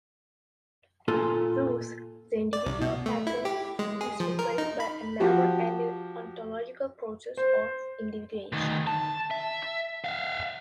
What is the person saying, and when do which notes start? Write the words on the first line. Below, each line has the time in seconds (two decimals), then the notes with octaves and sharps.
Thus, the individual atom is replaced by a never-ending ontological process of individuation.
1.08 A#2 F4 A4 G#5
2.53 D5
2.66 C2
2.81 B2
3.06 A3
3.27 E4
3.45 G4
3.79 G#3
4.01 G#4
4.20 F3
4.39 A#4
4.58 D#4
4.80 B5
5.20 F3 F#4 G4
7.37 C5
8.53 D2 D#3
8.87 A5
9.31 E5
10.05 E5 F5